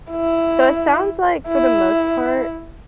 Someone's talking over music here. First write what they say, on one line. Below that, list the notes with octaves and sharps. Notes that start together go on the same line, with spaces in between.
So it sounds like, for the most part,
E4
E4